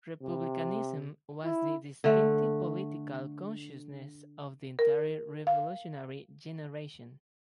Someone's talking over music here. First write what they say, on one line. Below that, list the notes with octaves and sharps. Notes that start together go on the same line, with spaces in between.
Republicanism was the distinctive political consciousness of the entire Revolutionary generation.
C3
E4
D3 A3
A#4
F5